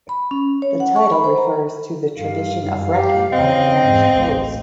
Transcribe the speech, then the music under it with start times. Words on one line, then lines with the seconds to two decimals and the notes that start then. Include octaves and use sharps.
The title refers to the tradition of wrecking on the Cornish coast.
0.09 B5
0.31 C#4
0.62 C#5
0.80 F#5
0.96 C#6
1.12 B5
1.24 C5
1.38 A#5
2.17 G2 F5
2.59 F#2 G3
2.96 G4
3.33 E2 C#3 C4 D#5
3.82 E2 G#2
4.13 A1 D2